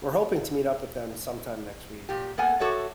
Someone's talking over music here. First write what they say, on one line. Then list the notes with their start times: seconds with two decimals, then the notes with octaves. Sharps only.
We're hoping to meet up with them sometime next week.
2.09 A#2 G4
2.38 A#3 B3 A4 F#5 G#5
2.60 F#4 A4 C#5 E5